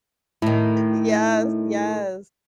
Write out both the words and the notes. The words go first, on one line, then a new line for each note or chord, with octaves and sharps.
Yes, yes.
A2 D#3 E4